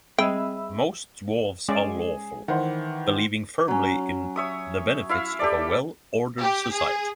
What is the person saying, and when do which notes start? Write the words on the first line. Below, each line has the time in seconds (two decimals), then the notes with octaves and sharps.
Most dwarves are lawful, believing firmly in the benefits of a well‑ordered society.
0.18 G3 C4 G#4 D#5 E5 G5 B5 E6
1.69 G#3 C#4 G#4 D5
2.48 D#3 E3 C5 F#5
3.68 F#3 C#4
4.36 C#5 E5 D#6
5.09 E4 E5 F5
5.39 G4 A4 D5
6.41 G4
6.72 G#4